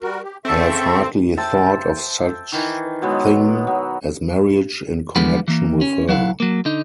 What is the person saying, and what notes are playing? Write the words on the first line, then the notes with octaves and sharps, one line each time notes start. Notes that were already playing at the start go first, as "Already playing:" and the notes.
I have hardly thought of such thing as marriage in connection with her.
G3 F#4 A#4
G4
C#3 C4 A4 E5 C#6
C5 E5 G5 A5
D#3 E3
B2 F#3 G#3 B3
F#3
D3 F3 G3 G#3 B3
E3 A#3
C#4
F#3 E4 F5 F#5
F#3 A#3
D3 D#4